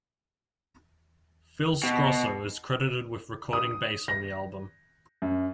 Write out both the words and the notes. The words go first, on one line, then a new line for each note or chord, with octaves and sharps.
Phil Sgrosso is credited with recording bass on the album.
B2
D#6
A#6
F#2